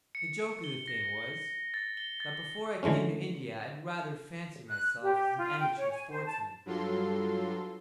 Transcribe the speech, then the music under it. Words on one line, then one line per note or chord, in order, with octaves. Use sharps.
The joke of the thing was, that before I came to India I had rather fancied myself as an amateur sportsman.
C#7
G7
A#6
A6
G7
A6
D3 E3 G#3 A3 C#4
F#6
G4
F4
G5
C#5
G#5
C5
A5
G2 F#3 F4 A4 C6